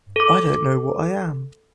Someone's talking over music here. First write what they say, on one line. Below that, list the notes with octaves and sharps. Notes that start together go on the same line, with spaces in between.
I don't know what I am.
A4 D6